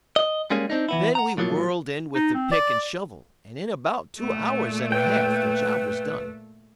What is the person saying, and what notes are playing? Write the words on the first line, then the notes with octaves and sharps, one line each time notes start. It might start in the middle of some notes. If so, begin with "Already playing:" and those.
Then we whirled in with the pick and shovel, and in about two hours and a half the job was done.
D#5
G3 G#3 A#3 C#4 G#4
C4 D4 D#4
E3 B3 E4
F#5 A#5
A2 F3 F#3 A#3 F4
D#4
C4
D5
A#2 A3
B4 G5